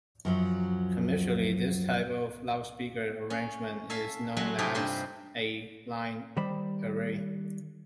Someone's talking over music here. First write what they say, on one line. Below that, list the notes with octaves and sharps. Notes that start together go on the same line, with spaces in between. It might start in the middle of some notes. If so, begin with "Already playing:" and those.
Commercially, this type of loudspeaker arrangement is known as a line array.
F#2 F3 F#3
C#4
A4 E5 F5 G#5
F#3 G#3 A3 C#4 F#4
C3 A3 D#4 F4 G4 G#4
G2 C4 G4 C5 G#5
D#3 G3 C5 B5